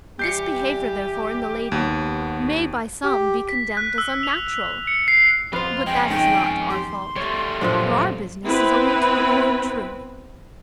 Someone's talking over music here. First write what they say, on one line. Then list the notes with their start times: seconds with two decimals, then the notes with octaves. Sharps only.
This behaviour, therefore, in the lady, may, by some, be condemned as unnatural; but that is not our fault; for our business is only to record truth.
0.19 E3 G3 G4 G6 C7 C#7
1.72 D#2 B3 F#4
3.04 G4
3.49 B6
3.77 F#6
3.98 E6
4.23 F7
4.87 C#7
5.08 C7
5.53 F2 B3 F4 C5
5.87 G#3 C#4 G5
6.10 D#3 G5
6.70 G4 C6
7.16 G3 A3 C#5
7.61 F#2 A#2 F3 D4
8.44 B3 C4 E4 B4 B5